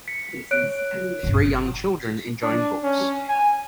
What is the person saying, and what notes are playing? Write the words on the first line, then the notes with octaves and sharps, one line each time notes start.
Three young children enjoying books.
B6 C#7
C#5 F#6 D7
G1 B2
D4
C#4
G#5